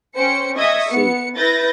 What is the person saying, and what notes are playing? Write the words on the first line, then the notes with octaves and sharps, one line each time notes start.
I see.
C#4 C5 G5 C#7
D#5 E5 C#6 D#6 G#6
B3 C#7
E4 B4 G6 A6 A#6